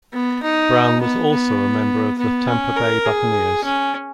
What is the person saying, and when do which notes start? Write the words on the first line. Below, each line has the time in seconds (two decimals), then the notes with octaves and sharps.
Brown was also a member of the Tampa Bay Buccaneers.
0.13 B3
0.43 D#4
1.01 B3
1.30 B3
2.18 B3
2.47 C#4
2.76 A#4
3.06 G#4
3.64 C#4